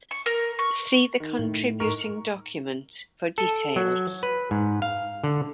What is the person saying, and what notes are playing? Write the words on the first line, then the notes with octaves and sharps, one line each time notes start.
See the contributing document for details.
C#6
A#4
C#6
D#3
A2
G#2 A#4 C#6
A4
F#3
B4
G#2
F5
D3